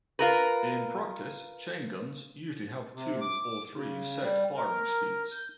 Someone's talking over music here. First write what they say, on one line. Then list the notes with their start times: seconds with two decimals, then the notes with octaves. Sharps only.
In practice, chain guns usually have two or three set firing speeds.
0.19 F4 A#4 B4
2.95 C3
3.21 D6
3.74 C#3
4.22 G3
4.56 A#4
5.31 G6